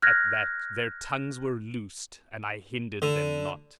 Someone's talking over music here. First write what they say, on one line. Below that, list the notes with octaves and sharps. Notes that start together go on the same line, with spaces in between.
At that their tongues were loosed, and I hindered them not.
F6 F#6 G#6 A#6
D3